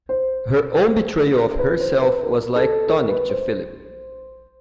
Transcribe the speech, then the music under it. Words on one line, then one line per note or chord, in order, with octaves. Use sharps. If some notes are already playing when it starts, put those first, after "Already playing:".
Her own betrayal of herself was like tonic to Philip.
C5
B4
C5
B4
A#4
A4
A#4
B4
C5